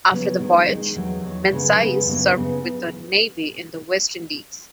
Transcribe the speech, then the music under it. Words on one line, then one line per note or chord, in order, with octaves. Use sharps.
After the voyage, Menzies served with the Navy in the West Indies.
C#3 F#3 B3
D#3 G#3 D#4
D#3 G#3 D#4
E2 D#3 F#3
E2 D#3 F#3
F#2 C#3 G#3 B3
F#2 C#3 G#3 B3
F#2 C#3 F#3 B3 D#4
C#3 F#3 B3 D#4